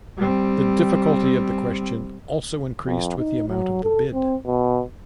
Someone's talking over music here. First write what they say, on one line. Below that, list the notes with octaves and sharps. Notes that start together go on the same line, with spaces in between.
The difficulty of the question also increased with the amount of the bid.
G3 C4
F2
D#4
F#3
A4
C4
B2